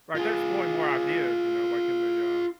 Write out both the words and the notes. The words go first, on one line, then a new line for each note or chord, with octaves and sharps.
Right, they're exploring more ideas, you know, like in the j uh
F4 G#4